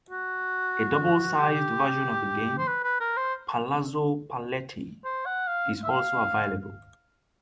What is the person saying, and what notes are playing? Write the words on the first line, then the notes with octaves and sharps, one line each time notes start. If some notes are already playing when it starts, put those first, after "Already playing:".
A double-size version of the game, "Palazzo Paletti", is also available.
F#4
G4
C5
B4
B4
A#4
C5
C5
F#5
F5
E5
F5